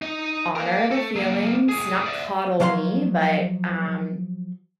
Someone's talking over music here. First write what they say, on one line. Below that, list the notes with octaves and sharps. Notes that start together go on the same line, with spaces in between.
honor the feelings, not coddle me. But, um,
D#4 D#5
A#4 F5
A3 A4
F#3 A#3
A2 G#4
D5 E5
F3 F#3 F5 F#5 C6